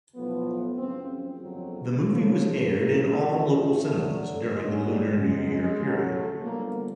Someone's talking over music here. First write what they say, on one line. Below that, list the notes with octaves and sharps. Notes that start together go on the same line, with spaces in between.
The movie was aired in all local cinemas during the Lunar New Year period.
B1 A2 F3 B3
F#1 F#2 C#3 F3 C4
C4
G1 F2 C#3 F#3
D2 C#3 F3
D2 C3 E3 A#3
A1 A2 F3 A3
A3
D2 D3 F#3
G1 G2 D#3 F#3 G#3
G3
E2 C#3 F#3 G#3
G#3
D2 C#3 F#3
A3
G1 G2 D3 F3 A#3